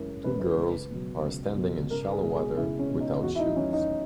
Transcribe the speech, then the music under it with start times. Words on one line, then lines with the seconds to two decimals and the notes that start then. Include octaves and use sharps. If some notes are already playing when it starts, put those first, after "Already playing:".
Two girls are standing in shallow water without shoes.
Already playing: F#2 C#3 E3 G#3 C#4 E4 A#4
0.23 C#3 E3 G#3 B4
0.40 B4
0.57 C#2
0.90 B2 F#3
1.24 C#2
1.57 B2 F#3
1.90 C#2 A#4
2.12 G#4
2.23 B2 G#3
2.35 G#4
2.57 C#2 E4
2.79 C#4
2.90 B2 G#3
3.00 D#4
3.23 E2 F#4
3.35 E4
3.39 D#4
3.56 D#3 F#3 C#4
3.73 D#4